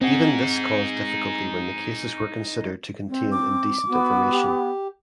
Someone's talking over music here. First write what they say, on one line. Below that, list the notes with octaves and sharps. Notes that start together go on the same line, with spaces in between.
Even this caused difficulty when the cases were considered to contain indecent information.
C4 D#4 G#4 F#5
C4
D6
B3 F#4
G4